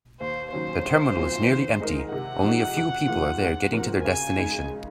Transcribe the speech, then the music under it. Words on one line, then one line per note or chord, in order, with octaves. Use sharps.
The terminal is nearly empty, only a few people are there getting to their destination.
D#2 C5
D#3 F#3 C#4 C5
C2
A#2 F#3 C4
D#3
G#3 D#4 A#4
C3 F#5
F3 G#3 D#4 F#4
F2
C3 F3 A#3 F4
G#2
F3 C4 F#4 A#4
C#3 G#5
G#3 D#4